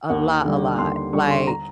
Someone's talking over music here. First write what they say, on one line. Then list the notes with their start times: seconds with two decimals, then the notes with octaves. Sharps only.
A lot, a lot, like
0.10 D#2 F#5
0.44 D3 G3
0.78 D#2 C6
0.96 C6
1.13 D3 G3 C#6
1.30 C6
1.47 A#5